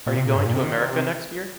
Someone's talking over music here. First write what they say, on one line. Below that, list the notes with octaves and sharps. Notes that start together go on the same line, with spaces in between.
Are you going to America next year?
A#2
C3
A#2
G2
A#2
C3
D#3
C3
C3